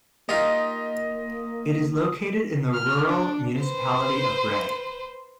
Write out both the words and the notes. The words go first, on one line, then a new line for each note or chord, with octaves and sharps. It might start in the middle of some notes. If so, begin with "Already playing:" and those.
It is located in the Rural Municipality of Grey.
A#3 D#4 F4 G4 D#5
F6
D4
B4 C5